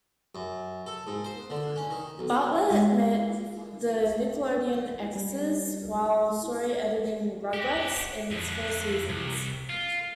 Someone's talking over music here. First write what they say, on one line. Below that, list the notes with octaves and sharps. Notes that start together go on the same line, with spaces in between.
Bartlett met the Nickelodeon execs while story editing "Rugrats" in its first seasons.
F#2
A4
G#2
C5
D3
C#4
D#3
B1
G#3
G3
F#4 G4
F2 D3
C2
F4